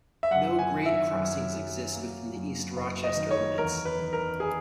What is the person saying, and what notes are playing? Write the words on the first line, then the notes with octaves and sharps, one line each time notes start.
No grade crossings exist within the East Rochester limits.
E5
F#2 F#5
G#5
D#3
E5
F#2
F#3
A#3
F#2
F#1
D#5
D#3
C#5
E2 A#4
B4
D#3
A#4
G#4